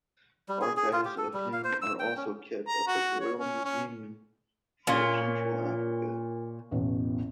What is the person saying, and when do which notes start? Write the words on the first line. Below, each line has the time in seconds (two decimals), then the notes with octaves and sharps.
Archives of him are also kept at the Royal Museum for Central Africa.
0.49 G3
0.61 G#4
0.77 G#4
0.93 F4
1.05 G4
1.18 A4
1.34 G3
1.53 F5
1.64 C5
1.82 E6
1.99 G5
2.17 C#4
2.68 A#5
2.87 F#4
3.20 C#5
3.39 C#4
3.65 C#4
4.87 A#2 A#3 C#4 F4
6.71 A1 E2 B2